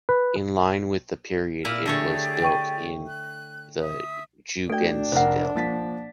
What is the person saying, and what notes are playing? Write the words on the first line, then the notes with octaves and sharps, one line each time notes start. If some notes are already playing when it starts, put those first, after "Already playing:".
In line with the period it was built in the Jugendstil.
B4
A#2 E4 D5 F6
D3 A3 G4 G#4 C#5 D5
G5 C#6 D#7
F#6
E5 D#6
A3 D4 F#4 A4 D5 G5
F1 A#4 C5 F#5
F3 A#3 A6 B6